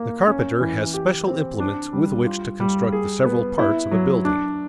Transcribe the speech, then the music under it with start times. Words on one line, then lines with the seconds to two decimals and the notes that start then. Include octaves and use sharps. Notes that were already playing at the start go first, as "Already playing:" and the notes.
The carpenter has special implements with which to construct the several parts of a building.
Already playing: A#3
0.27 C#4
0.60 E3
0.94 G4
1.27 C4
1.60 D4
1.93 G3
2.26 F4
2.60 G3
2.92 G#4
3.25 B3
3.59 E4
3.91 F#3
4.25 D4